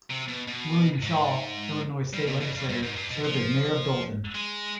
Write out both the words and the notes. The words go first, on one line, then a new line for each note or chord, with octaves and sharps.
William Shaw, Illinois state legislator, served as mayor of Dolton.
C3
B2
B2
G#2
G2
B2
B2
G2
G2
G#2
G2
B2
F3
G#3